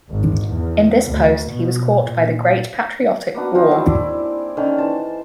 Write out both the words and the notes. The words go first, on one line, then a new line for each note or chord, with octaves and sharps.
In this post he was caught by the Great Patriotic War.
G#1
E2
D2
B2
A#2
A#3 B3 D4 F#4
C4 D#4 F4 G#4
F3 F#3 D4 E4
E4 D5 D6
D3 D#3 C#4
E3 C5 A5